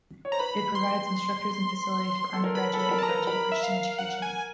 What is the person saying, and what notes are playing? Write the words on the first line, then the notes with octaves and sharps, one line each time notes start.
It provides instructors and facilities for undergraduate and graduate Christian education.
C#5
C5 A#5
B4 B5
C6
A4
A#4
B4 B5
A4
B5
A#4
A5
A#5
B4
A#4 B5
E5
F5
F#5
G#5